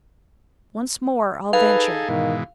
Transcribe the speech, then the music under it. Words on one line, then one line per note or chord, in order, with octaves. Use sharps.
Once more I'll venture.
D#4 G#4 A4 B4 F5
G#2 B2 D#3 E3